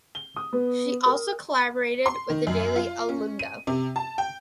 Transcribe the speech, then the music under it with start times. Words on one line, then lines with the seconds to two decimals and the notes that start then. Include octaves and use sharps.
She also collaborated with the daily "El Mundo".
0.15 G7
0.36 D#6
0.53 B3
1.06 A#4
2.06 C6
2.30 D#3
2.47 F#2
2.76 F4
3.09 C#4
3.39 D#7
3.67 C3
3.96 A5
4.18 G5